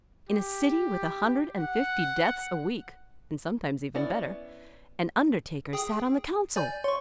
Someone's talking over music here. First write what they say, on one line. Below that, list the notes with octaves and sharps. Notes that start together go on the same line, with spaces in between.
In a city with a hundred and fifty deaths a week, and sometimes even better, an undertaker sat on the council!
G4
F#5
B3 C#4 E4 D5
G#4 G5 D#6
D5 G#5 G6
C#5 C6 C#6